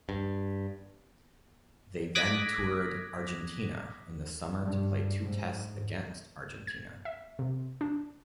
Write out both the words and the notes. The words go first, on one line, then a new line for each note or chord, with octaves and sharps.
They then toured Argentina in the summer to play two tests against Argentina.
G2
D6 D#6 F#6 G#6 A#6 B6
G2
G#2
G#6
E5
C3
D4